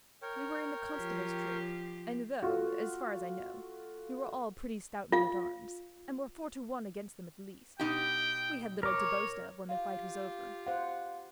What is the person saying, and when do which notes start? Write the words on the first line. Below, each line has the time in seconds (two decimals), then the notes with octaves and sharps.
We were in the Constable's troop; and though, as far as I know, we were all pretty stout men-at-arms, and were four to one against them at least, we had little to boast of when the fight was over.
0.22 A#4 C#5 G5
0.95 F3 G4
2.42 A3 F4 F#4
5.12 F4 F5
7.79 B2 D#4 G4 G5
8.83 A#4 C#5 D6
9.69 F4 G4 F5
10.67 C5 F5 F#5